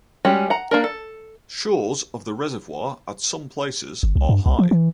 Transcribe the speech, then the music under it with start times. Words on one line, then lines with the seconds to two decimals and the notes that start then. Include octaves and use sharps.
Shores of the reservoir at some places are high.
0.25 G3 G#3 C#4 F#4 G4
0.50 F#5 A#5
0.71 A#3 D4 A#4
0.84 A4
4.03 G1
4.16 C2
4.29 G2
4.46 C2
4.59 F3
4.71 E3